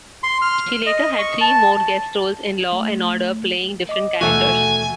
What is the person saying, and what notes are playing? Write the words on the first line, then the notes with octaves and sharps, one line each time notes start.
She later had three more guest roles in "Law and Order", playing different characters.
C6
F6
D#5
C#6
A5
A3
D#5 D6
D#2 B2 E3 A3 F#4 G#5